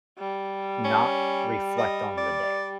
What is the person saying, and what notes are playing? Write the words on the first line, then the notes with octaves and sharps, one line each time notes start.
not reflect on the day,
G3
C#4
D#5
D5